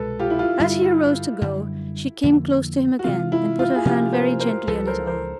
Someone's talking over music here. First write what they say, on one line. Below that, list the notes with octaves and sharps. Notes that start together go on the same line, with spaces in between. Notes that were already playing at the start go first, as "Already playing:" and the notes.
As he arose to go, she came close to him again, and put her hand very gently on his arm.
Already playing: C2 B2 G#3 A4 B4
F4 G4
E4
F4
G2 D3 G3 E4
E4
F#2 D3 G3
F2 D3 F3 A#3
F#4
C3 E3 G#3 C4 F4
E4
F4
G#4
C3 F3 A#3 C#4 F4 G4
A#4 C5
A#4 C5
C#2 C#3 F3 A4 B4
A#4 C5
A#4 C5